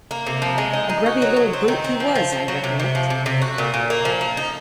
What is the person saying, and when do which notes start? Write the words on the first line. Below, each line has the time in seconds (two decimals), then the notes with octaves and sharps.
A grubby little brute he was, I recollect.
0.11 A#3
0.26 C3
0.42 F3
0.58 G#3
0.73 D#4
0.89 D#4
1.06 F#4
1.22 F#3
1.36 F#3
1.53 C4
1.68 D#3
1.84 C4
2.00 F3
2.15 F3
2.32 F3
2.48 F#3
2.64 C3
2.80 C3
2.95 F3
3.10 C3
3.26 C3
3.42 F#4
3.58 A#2
3.74 A#2
3.90 A#3
4.05 F3
4.21 A#3
4.37 D#4